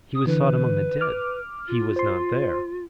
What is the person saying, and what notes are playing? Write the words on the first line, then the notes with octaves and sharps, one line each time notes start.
He was sought among the dead, he was not there.
D#6
D3 E3 B4
D6 F6
F4
C5 C6